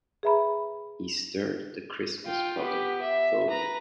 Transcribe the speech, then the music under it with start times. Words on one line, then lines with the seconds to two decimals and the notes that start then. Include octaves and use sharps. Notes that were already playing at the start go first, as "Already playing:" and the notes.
He stirred the Christmas pudding thoroughly.
0.23 G#4 B4 E5 A#5 B5
2.26 F4 G5
2.58 B3 G4
3.02 E5
3.49 B4 A#5